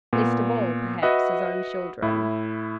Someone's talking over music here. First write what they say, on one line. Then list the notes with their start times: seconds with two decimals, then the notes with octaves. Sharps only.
Least of all, perhaps, his own children.
0.13 A#2 B3
1.02 F#4 B4 D#5 E5 F#5
2.02 A2 E4